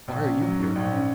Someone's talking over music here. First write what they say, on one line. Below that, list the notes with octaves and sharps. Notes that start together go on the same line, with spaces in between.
"Why are you here?"
A#1
C#4
F#3
G#2
A#1
C#4